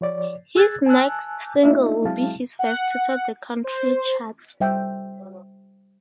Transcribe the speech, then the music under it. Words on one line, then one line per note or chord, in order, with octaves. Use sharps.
His next single would be his first to top the country charts.
F3 C#5 D5
G#4 E6 F#6 G#6 A6
G#5 A5 E6 F#6
A3 A#3 D4 D#4 F4 E5
F#3 G#3 C4 E4 F5 A5
F#5
C5
G3 C5 E5 G5